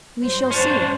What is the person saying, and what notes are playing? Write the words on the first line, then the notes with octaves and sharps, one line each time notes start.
"We shall see."
G2 F#3 C5
C#4 D4